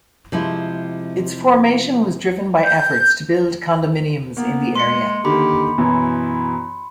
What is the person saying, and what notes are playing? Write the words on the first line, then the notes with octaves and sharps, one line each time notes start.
Its formation was driven by efforts to build condominiums in the area.
C3 F3 G#3 E4
G6
A#3 B3
G#3 C6 C#7
D3 D#3 A#3 G4 B5
F#2 B2 E3 E4